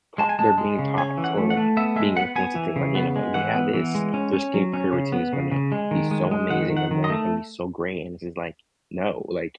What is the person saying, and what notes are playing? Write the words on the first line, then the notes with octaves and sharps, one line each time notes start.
ta they're being taught or, like, being influenced to think, like, know, "They have this, their skin care routine is gonna be so amazing, their morning's gonna be so great," and it is, like, no, like,
G#3 A5
G#5
G#3 A5
G#3
C#3
C#4 G#5
E3
F#5
A3
F#5
A3
B3 E5
G#3 E5
B3 F#5
B3 G#5
E3
C#3
B3
G#3
E3 F#5
B3
E3
G#3
C#4
C#4
F#3
C#4
C#3
B3
C#3
C#3
G#3
D#3
G#3
G#3
D#3 F#5
D#3
F#5
D#3
D#5
A3